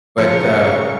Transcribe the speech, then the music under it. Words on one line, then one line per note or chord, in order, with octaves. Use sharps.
But, uh
C#3 F3 A#4 C#6